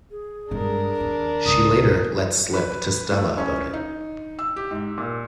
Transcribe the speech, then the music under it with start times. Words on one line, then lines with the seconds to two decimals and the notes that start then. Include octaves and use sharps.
She later lets slip to Stella about it.
0.10 G#4
0.51 G2 G#3 D4 A#4
1.00 D#2
1.46 C#2 D#6
2.54 B4
3.11 A3
3.38 C#4
3.73 D#4
4.39 E6
4.56 G4
4.71 G#2
4.98 A#2